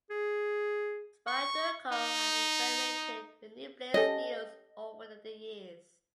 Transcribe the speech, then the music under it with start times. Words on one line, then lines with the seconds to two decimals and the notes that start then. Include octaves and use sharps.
Spyderco has experimented with new blade steels over the years.
0.10 G#4
1.27 C#6
1.92 D#4
3.94 C#4 G4 A4 D#5